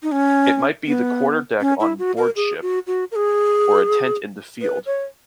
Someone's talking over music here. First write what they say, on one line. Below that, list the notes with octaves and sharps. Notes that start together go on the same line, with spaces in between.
It might be the quarterdeck on board ship or a tent in the field.
D#4
C#4
B3
C#4
E4
F#4
A#4
G#4
F#4
F#4
A#4
G#4
B4
C#5